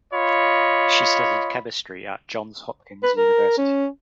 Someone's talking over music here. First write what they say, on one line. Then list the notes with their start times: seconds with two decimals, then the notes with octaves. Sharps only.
She studied chemistry at Johns Hopkins University.
0.13 F4 C#5 D#5 B5
3.03 B4
3.17 A#4
3.58 C#4